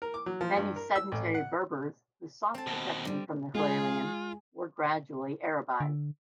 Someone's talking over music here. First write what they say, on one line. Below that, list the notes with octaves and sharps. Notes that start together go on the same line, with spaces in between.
Many sedentary Berbers who sought protection from the Hilalians were gradually Arabized.
A#4
D6
F#3
F3
G2
A#4
E6
A1
F#5
C4 A5
D#2 B2
D3 G3
G#3 F4 G#4
D3